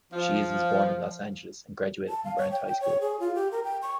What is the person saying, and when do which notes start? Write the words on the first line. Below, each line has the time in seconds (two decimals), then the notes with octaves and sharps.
Shields was born in Los Angeles and graduated from Grant High School.
0.13 F3
2.09 A5
2.24 F5
2.37 C#5
2.51 G5
2.67 G5
2.80 C#5
3.01 G#4
3.20 F4
3.35 G4
3.52 A#4
3.64 G5
3.82 C#6